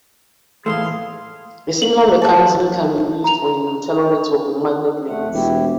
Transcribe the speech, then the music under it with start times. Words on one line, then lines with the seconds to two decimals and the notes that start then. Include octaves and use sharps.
A similar mechanism can be use on the Gnutella network with magnet links.
0.66 A2 E3 A3 G#4 F5 C6
1.81 A#4 F#7
2.22 E5 A5
3.24 A#5 F7
5.08 F2 A3 F#5
5.33 E1 E4 G4